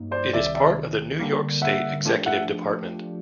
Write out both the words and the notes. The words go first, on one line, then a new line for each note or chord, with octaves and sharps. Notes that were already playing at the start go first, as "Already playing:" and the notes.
It is part of the New York State Executive Department.
Already playing: G2 F#3 A#3 D#4
C5 D5
C2 C3 D#3 D5 E5
D5 E5
D3 G3 A#3
E5 F#5
F3 A3 D4 G4
E5 F#5